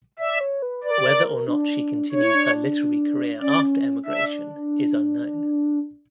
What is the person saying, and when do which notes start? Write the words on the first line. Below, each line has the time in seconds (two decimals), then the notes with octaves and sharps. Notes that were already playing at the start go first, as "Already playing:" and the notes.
Whether or not she continued her literary career after emigration is unknown.
0.19 D5 E5
0.41 C#5
0.62 B4
0.84 B4 D5
0.91 A#4
0.98 G4
1.05 A#4
1.48 D4
2.12 D4 C#5
2.23 E4
2.35 D4
3.41 C#4 D5
4.05 D4 E5